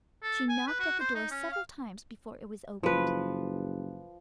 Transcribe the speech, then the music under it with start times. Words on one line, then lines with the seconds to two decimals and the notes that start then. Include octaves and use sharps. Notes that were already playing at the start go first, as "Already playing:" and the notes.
She knocked at the door several times before it was opened.
0.23 A4
0.49 G#5
0.67 B4
0.80 F#4
1.00 C5
1.15 D#4
1.31 C#4
1.52 F5
2.83 F#1 F3 B4